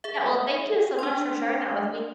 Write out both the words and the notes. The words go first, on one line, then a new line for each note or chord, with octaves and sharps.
Yeah, well, thank you so much for sharing that with me.
G#4 E5
D4 C6